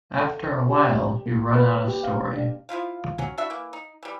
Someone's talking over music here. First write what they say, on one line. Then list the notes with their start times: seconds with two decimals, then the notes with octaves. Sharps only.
After a while, you run out of story.
0.20 A4
0.70 G4
1.26 A#3
1.56 B4
1.88 G4
2.03 F5
2.33 D4
2.69 F3 E4 F4 F5
3.18 F#3 C#4
3.38 D4 E4 F#4 E5
3.50 E3 A#3
3.73 D#4
4.03 E3 G3